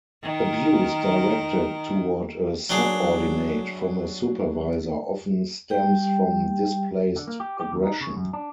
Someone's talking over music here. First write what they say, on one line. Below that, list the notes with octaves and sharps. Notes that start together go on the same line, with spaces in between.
Abuse directed toward a subordinate from a supervisor often stems from displaced aggression.
D#3 A#4
F#3 D4 G#4
G3 G4 G5
D3
A#3
G4
G4
D#2
D#4
C#3
F#2
D4